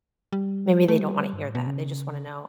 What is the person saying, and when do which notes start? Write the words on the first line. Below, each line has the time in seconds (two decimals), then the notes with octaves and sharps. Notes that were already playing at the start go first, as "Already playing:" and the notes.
maybe they don't wanna hear that, they just wanna know,
0.32 G3
0.88 A3
1.00 G3
1.33 G2
1.44 A2
1.55 B2
1.67 C#3